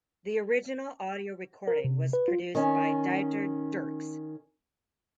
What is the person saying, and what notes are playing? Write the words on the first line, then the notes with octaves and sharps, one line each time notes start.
The original audio recording was produced by Dieter Dierks.
A#4
C3
B4
F4
D#3 C#4